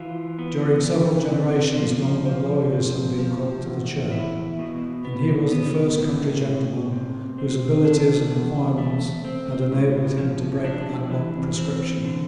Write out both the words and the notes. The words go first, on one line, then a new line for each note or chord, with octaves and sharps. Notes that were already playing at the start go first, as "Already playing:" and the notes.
During several generations none but lawyers had been called to the chair; and he was the first country gentleman whose abilities and acquirements had enabled him to break that long prescription.
Already playing: E3 F4
B3
E3
C3
F3
F3
C3
F3
E2
E4
B2
B3
B3
A2
A2
C3
C4
D4
E2
A3
C4
A2
F3
D4
E3
C4
D3